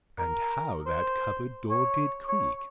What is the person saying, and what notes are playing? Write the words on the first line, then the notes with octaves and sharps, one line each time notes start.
And how that cupboard-door did creak!
A#4
C5
C#5
C#5